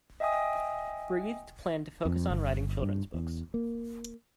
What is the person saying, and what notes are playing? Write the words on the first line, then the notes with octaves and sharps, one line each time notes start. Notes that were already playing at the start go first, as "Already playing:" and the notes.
Breathed planned to focus on writing children's books.
D#5 E5 G5 G#5 D#6
F2
G1
G2
E2
A#3